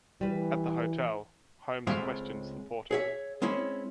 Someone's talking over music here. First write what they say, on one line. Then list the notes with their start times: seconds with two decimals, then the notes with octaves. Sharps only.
At the hotel, Holmes questions the porter.
0.21 E3 G3 B4
1.87 C#2 G#3 A3 C4 E5 F5
2.91 G#4 C#5 E5
3.42 G#3 C4 C#4 E4 C#5